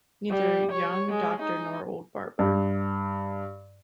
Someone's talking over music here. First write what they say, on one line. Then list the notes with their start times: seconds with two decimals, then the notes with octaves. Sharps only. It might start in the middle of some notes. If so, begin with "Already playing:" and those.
Neither young doctor nor old barber.
0.30 G3
0.72 C#5
1.09 G#3
1.42 D#4
2.39 G2